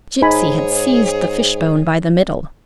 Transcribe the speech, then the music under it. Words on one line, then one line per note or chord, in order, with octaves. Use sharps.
Gipsy had seized the fishbone by the middle.
G#2 D#4 G#4 C#5 G#5 B5